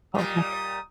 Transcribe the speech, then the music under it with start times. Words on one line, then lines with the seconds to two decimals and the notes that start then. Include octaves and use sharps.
Oh, really?
0.15 A#2 G3 D#6